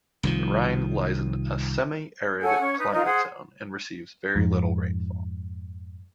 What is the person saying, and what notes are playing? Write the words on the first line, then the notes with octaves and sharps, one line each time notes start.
The Ryn lies in a semi-arid climate zone, and receives very little rainfall.
C2 D#3 F3
A4 C#5 F#5 G#5
C#4 C#5
D#4 B4
D#4 F4 A#4 D#5
G#4 C5 F#5
F2 G#2